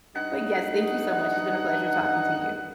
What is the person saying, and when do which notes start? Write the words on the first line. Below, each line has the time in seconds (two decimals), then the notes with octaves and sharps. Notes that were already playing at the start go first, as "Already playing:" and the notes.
but, yes, thank you so much. It's been a pleasure talking to you.
0.15 G2 D#4 F#5